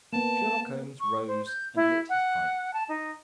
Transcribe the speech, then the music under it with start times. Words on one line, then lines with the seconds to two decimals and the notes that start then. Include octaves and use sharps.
Sherlock Holmes rose and lit his pipe.
0.13 A#3 B3 A5
1.00 C#6
1.27 C5
1.47 G6
1.75 E4
2.09 F#5
2.73 A5
2.88 D#4